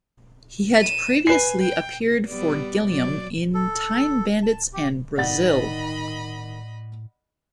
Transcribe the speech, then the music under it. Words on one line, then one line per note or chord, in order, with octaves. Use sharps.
He had previously appeared for Gilliam in "Time Bandits" and "Brazil".
D#7 E7
B4 G#5 C7
G5
G3 B3 D5
F#3 D5
A4
A5
G4
A2 D#3 D5 D#5 F#5 B5 A6